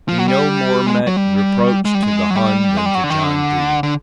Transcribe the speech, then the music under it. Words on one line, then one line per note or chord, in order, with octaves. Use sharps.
He no more meant reproach to the Hun than to John Dene.
F3
F#3
G3
G#3
F#3
G3
G#3
G3
G#3
F#3
G3
G#3
G3
F#3
D3
D#3
D3
D3